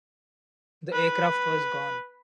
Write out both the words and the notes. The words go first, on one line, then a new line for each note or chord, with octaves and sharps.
The aircraft was gone.
B4